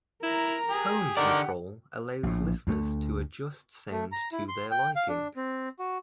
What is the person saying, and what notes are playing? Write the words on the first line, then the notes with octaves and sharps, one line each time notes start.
Tone control allows listeners to adjust sound to their liking.
E4 A#4 A#5
G4 G#4
D3 D#3 A#4 D5 F#5 D6
A#1 A2
D2 F3 A3
A3
A#5
E4
C6
G5
F5
D4
C4
F#4